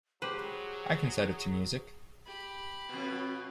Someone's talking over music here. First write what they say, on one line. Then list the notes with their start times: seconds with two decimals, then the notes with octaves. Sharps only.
I can set it to music.
0.22 F#3 G4 G#4 B4 C5
2.26 G4 B5
2.89 F2 B2